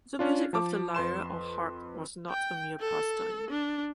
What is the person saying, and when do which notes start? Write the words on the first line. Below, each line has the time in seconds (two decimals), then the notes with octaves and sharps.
The music of the lyre or harp was not a mere pastime.
0.19 C#4 D4 F4
0.53 F3 A5 D6
0.95 F2 B4 C6 E7
2.30 G5
2.80 A4
3.50 D4